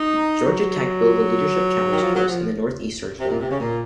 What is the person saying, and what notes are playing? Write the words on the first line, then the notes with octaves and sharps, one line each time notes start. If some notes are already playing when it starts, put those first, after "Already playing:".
Georgia Tech built the Leadership Challenge Course in the northeast corner.
Already playing: D#4
F#3
D#3
F3
F#3
F3
C3
A#2
C3
C#3
A#2